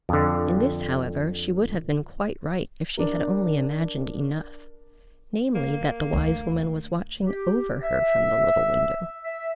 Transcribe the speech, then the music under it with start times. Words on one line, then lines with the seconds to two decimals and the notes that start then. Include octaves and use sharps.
In this, however, she would have been quite right, if she had only imagined enough--namely, that the wise woman was watching OVER her from the little window.
0.09 F2 D3
2.97 D4 A#4
5.55 A#3
6.13 D2
7.25 G4
7.83 E5
9.24 E5